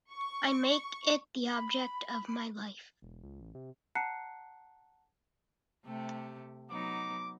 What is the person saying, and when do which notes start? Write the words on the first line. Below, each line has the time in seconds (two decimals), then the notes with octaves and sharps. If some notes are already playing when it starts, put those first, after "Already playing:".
I make it the object of my life.
0.12 C#6
1.52 B5
3.02 E1
3.23 C#2
3.41 A1
3.55 C3
3.95 F#5 A5 A#5 F#6 C7 C#7
5.85 C3 A3 G4
6.70 F#3 B3 D#4 D6